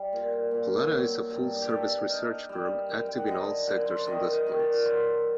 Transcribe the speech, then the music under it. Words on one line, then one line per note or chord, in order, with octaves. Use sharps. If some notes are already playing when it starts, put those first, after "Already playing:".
Pollara is a full-service research firm active in all sectors and disciplines.
Already playing: G3
A#2
A#2
F#3
G2
G4
G2 A4
D#4 A#4
G3
F#2
G5
F#5
D3 D#5
F#2 F#5
C5
D5
D#3 D#5
D#5
D#3
D5
F#3 C5